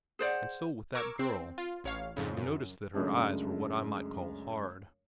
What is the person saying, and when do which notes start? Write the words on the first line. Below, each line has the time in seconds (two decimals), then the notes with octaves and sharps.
And so with that girl. You noticed that her eyes were what I might call hard.
0.19 G#4 C5 D5 F#5
0.95 A#4 C#6 D6 E6 G#6
1.18 C4 C7
1.58 F4
1.84 A1 C#5 F5
2.17 F2 G#2 C#3
2.37 F#2
2.94 F#2 C#3 G#3 A3 D4